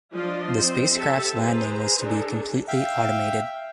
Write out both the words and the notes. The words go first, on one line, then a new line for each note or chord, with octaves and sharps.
The spacecraft's landing was to be completely automated.
F3 D4 F4 D5 D#5 C6
C4 C5
G4 A4 E5 A5
G#4 B4 C5 A#5
D4 D#4 G#4 A4
E5 F5 G5